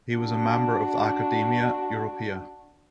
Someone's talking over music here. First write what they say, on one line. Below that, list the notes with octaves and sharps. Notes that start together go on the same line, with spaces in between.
He was a member of the Academia Europaea.
D4 F#4